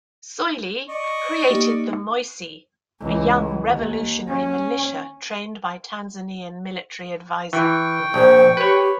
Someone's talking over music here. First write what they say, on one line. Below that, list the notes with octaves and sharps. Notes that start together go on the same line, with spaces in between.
Soilih created the 'Moissy', a young revolutionary militia trained by Tanzanian military adviser.
D5 D#5 C#6
A#3 D#4 G4
C#2 E3
D#2
C#4
E3 G5 C#6
A#1 C5
G4 B4 C#5